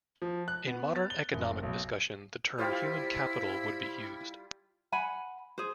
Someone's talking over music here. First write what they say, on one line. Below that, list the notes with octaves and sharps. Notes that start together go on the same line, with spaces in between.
In modern economic discussion, the term human capital would be used.
F3
F#6
B3
A6
G7
F#1
B1
G3 E4 F4 G4 C5 F5 G5
F#5 G#5 B5
G#4 C5